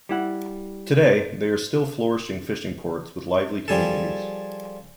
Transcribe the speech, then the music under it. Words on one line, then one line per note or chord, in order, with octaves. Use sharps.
Today, they are still flourishing fishing ports with lively communities.
G3 E4 F#5
F3 G3 G#4 A4